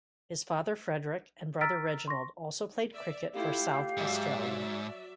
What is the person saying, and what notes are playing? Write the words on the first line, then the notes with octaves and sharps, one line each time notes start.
His father Frederick and brother Reginald also played cricket for South Australia.
A#5 E6 F6 A6 B6 D7
C6 C#6 A#6
D5 E5
A3 E4 F4 G4 F5
G#2 F#3 D5 E5